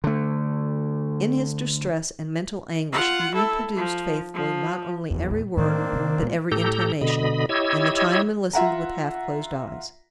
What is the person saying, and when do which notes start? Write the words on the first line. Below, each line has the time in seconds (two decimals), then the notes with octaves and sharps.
In his distress and mental anguish he reproduced faithfully not only every word, but every intonation, and the Chinaman listened with half-closed eyes.
0.04 D3 A3
2.93 F4 F#5
3.34 E4 A4
3.77 F3
4.34 F3
5.11 F#1 E2
5.30 A#2
5.57 A2 D#3 E3 A#3 C4 D4
5.93 C3 E3
6.21 A#2 G#3 B3
6.52 A2 G4 A4 A#5 G6
7.01 B2 D3 D#5 B5
7.49 E4 G4 C#5 D#5 E6 G#6
8.53 F4 E5 F#5 A#5